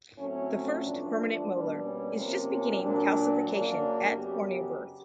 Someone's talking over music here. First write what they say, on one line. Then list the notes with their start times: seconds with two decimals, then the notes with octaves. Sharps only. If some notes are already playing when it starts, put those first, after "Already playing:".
The first permanent molar is just beginning calcification at or near birth.
0.18 A2 F#3 A3 C4 C#4
0.84 G2 D3 F3 A3 D4
1.17 D4
1.50 B2 G3 A#3
1.83 C#4
2.15 C3 F3 A#3
2.49 C#4
2.82 A#2 F#3 A#3 D4
3.48 F#2 C#3 F#3 A#3 D4
4.14 F#2 C#3 F#3 B3 G4